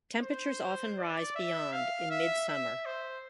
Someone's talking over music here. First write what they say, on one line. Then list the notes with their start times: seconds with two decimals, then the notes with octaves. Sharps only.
Temperatures often rise beyond in midsummer.
0.23 C5
0.98 D5
1.35 E5
1.73 F5
2.10 E5
2.49 E5
2.86 C5